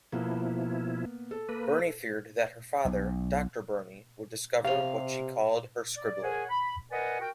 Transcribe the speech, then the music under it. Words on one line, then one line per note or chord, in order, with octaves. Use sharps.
Burney feared that her father, Doctor Burney, would discover what she called her "scribbling".
B2 F3 A#3 B3 E4
A4
A#3 B4
B1
C3 G4 F5 F7
D5
G#4 A#4 C#5 F#5 G#5
B5
A#4 B4 D5 D#5 F#5 G#5
F#4 A#4 G5